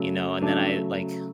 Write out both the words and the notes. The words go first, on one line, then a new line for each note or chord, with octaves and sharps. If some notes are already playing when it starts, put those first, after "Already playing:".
you know, and then I, like
Already playing: C#3 F#3 A3
C#3 F#3 A3 D4